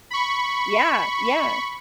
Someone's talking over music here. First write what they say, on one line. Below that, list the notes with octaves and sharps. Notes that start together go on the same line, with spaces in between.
Yeah, yeah,
B5 C#6